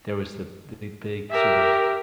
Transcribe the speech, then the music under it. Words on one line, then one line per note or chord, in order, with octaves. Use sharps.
there was the big big, sort of,
G4 A#4 E5